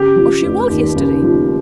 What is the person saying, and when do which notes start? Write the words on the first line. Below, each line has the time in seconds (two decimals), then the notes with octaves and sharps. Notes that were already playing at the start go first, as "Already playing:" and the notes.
Or she was, yesterday.
Already playing: C#3 G4
0.16 F3
0.42 F1
0.70 D#2
0.96 C#3
1.23 F3